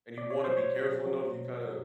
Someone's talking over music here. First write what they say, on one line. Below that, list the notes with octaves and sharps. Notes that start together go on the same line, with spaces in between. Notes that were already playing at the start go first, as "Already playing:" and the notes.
and you wanna be careful enough, you kinda
B2 D5
C#5
F#3 C5
C#5
F#3
F#3
B2
F#3